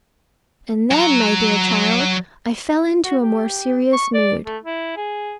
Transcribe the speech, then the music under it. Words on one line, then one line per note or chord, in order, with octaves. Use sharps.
And then, my dear child, I fell into a more serious mood.
F#3 A#5
F#4
G4
C#6
D5
A3
E4
G#4